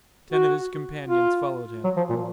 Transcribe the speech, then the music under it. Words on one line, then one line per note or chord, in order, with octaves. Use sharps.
Ten of his companions followed him.
F#4
F4
F#3
F3
A#2